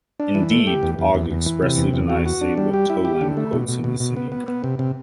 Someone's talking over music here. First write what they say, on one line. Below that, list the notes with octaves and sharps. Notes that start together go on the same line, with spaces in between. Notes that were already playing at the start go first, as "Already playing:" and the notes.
Indeed, Ogg expressly denies saying what Toland quotes him as saying.
D4
E3
A3
G4
E2
E2
E2
E2
E3
C3
E2
E2
F#4
F#4
D4
G3
G4
E4
G4
D3
A3
B2
B2
B2
B2
B3
B3
B3
C3
C3